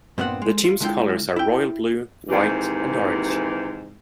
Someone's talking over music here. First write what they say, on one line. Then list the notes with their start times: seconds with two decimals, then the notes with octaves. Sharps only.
The team's colors are royal blue, white and orange.
0.18 G2 A#2 B3 C4 F#5
0.42 G#3
0.64 F4
0.80 D3 G#3 E4 F4 G5
1.36 E4 G5
2.29 D#2 G#2 C3 E3